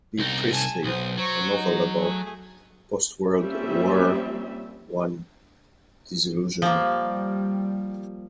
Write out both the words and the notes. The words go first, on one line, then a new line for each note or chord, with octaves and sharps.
B. Priestley, a novel about post-World War One disillusionment.
C2 D#4
G#5 A5
B1 C5 D#6
F#3 C5 C#6
D#4
A3 G#4
F3 G3 A#3 C4 C#4 E5
F3 G3 A#3